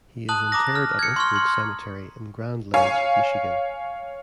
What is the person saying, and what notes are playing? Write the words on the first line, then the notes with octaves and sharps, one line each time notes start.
He is interred at Oakwood Cemetery in Grand Ledge, Michigan.
A5 D#6 F#6 F#7
A#5 D6 D#6 A#6
F6
G#6 C#7
C6 C#6 F6
C6
C#5 F5 G#5